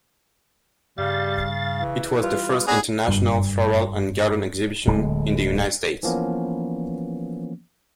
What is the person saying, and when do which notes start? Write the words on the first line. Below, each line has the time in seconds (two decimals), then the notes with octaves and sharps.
It was the first International Floral and Garden Exhibition in the United States.
0.98 G2 C#3 G3 F5 A6
1.81 E3
2.23 G3 F4 B4
2.67 B3 D4 G#4 C#5 A#5
3.08 F#1 G2
4.87 D1 D3 G#3
6.03 E3 F3 A#3 B3 C#4